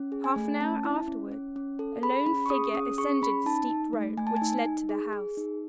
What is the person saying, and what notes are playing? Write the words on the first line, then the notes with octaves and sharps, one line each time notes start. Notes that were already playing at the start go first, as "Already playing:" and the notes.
Half an hour afterward, a lone figure ascended the steep road which led to the house.
Already playing: C#4
G#4
G#5
A3
C#4 A5
E4
C#4
C#4
C#4
A4
G#4 B5
C#4 B5
C#6
G#4 D#6
C#4 D#6
G#4 C#6
C#4 B5
D#4 A5
D#4
A3
A3 G#5
A5
G#5
D#4
D#4
G#4
G#4
D#4